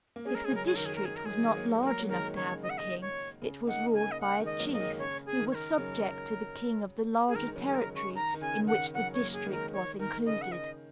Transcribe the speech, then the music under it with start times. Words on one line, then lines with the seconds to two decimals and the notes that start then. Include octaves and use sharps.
If the district was not large enough to have a king, it was ruled by a chief, who was subject to the king of the larger territory in which the district was included.
0.16 A#3
0.25 G#3 C#4 G#4
0.35 A#4
0.45 G#4
0.51 C#3 F#3 A#4
0.66 G#4
0.76 D#3 A#4
0.85 G#4
0.95 A#4
1.05 G#4
1.16 A#4
1.25 G#3 G#4
1.38 F#3
1.45 D#3 G#3
1.57 F#3 A#3
1.83 F#3 A#3 A#4
1.99 F#3
2.09 D#3 G#3 A#4
2.36 C#3 F#3 C#5
2.63 D#5
2.70 F#5
2.78 D#5
3.01 C#5
3.42 C#3
3.67 A#3 D#4 F#5
3.93 C#3 G#5
4.11 D#5
4.21 F#5
4.40 D#3 G#3
4.46 D#5
4.59 F#3 A#3
4.73 A#3 D#5
4.79 D#3 G#3
4.99 C#3 C#5
5.26 G#4
5.39 D#3
5.51 C#5
5.55 A#4
5.78 C#3 F#3
7.28 G#4
7.35 D#3 G#3 A#4
7.48 D#3
7.56 C#3 F#3
7.67 G#4
7.75 A#4
7.95 C#3 C#6
8.15 D#3 A#5
8.34 D#3
8.41 C#3 G#5
8.61 C#3
8.67 D#3 F#5
8.94 C#3 F#3 F#5
9.14 C#5
9.20 F#3 A#3
9.33 G#4
9.46 D#3 G#3
9.53 A#4
9.73 D#3 C#5
9.99 D#3 A#4
10.26 C#3 D#5
10.42 F#5
10.52 D#5